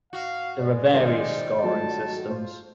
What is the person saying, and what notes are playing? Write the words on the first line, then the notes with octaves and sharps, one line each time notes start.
There are various scoring systems.
F#4 F5
G#3 D5
D#3 G3 A#4 C5
F#3 A3 F4 A5
F4 C5